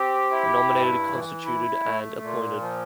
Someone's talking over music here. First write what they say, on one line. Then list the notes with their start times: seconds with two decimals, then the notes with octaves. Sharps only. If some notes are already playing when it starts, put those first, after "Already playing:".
Nominated, constituted, and appointed.
Already playing: C4 G4
0.30 E4
0.70 G2
1.08 E3
1.45 E4
1.84 A3
2.22 A#2
2.60 F3